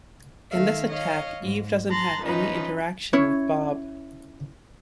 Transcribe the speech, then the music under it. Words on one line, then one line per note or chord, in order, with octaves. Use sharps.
In this attack Eve doesn't have any interaction with Bob.
D#3 A3 E5 F5
C#5 D#5 F5
G#2
A5 A#5 C6 F#6 A6 A#6
E3 F3 C#4 D#4 B4 D#5
C#4 E4 C#5